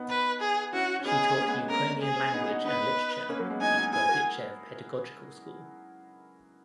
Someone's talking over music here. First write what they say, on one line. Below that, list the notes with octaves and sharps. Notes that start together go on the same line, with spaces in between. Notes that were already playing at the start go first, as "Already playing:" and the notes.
She taught Ukrainian language and literature at Berdichev Pedagogical School.
Already playing: B3 D#4
B4
G#4
C#4 E4 F#4
C#4
B3 D#4 G#4
A#3 C#4
G#3 B3
G#3 B3
A#3 C#4 A#4
G#4
B3 D#4
D#4 F#4
B3 D#4 B4
A#3 C#4
F#3 A#3
G#3 B3
B3 D#4 G#5
D#4 F#4
E4 G#4 G#5
F#4 A#4